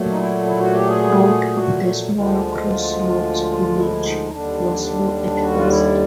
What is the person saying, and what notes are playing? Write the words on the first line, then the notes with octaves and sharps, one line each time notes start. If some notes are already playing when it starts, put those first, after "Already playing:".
Growth of the small crossroads village was slow at first.
Already playing: A#2 F#3 A3
D#4
E4
E4
F#4
G4
G#4
F#4
D2 D3 F3 G#3
F4
E4
D#4
D#2 D3 G3 D4
F#4
F4
E4